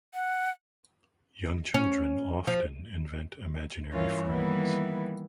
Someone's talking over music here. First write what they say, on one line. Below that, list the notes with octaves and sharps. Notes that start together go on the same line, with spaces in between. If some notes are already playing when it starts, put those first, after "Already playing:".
Young children often invent imaginary friends.
F#5
C#4
F3
G2 E3 C#4 F4 A#4
D#3 E3 G3 A#3 B3 E4